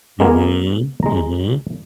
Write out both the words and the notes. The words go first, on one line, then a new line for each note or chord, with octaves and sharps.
Mhm, mhm.
G#3 A#3 B3 A#4 G#5
G#3 A#5